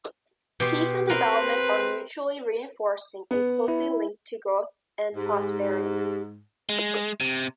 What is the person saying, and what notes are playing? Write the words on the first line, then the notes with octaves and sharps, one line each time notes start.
Peace and development are mutually reinforcing and closely linked to growth and prosperity.
B2 G4 C6
C4 A#4 B4 C6
B3
E4
G#2 G4
G#3
C3